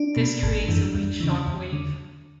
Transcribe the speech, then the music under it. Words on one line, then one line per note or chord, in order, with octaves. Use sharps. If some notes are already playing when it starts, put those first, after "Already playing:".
This creates a weak shock wave.
Already playing: D4
B2
G#1
F#2 E3
E2
C#3 E3
E2
D3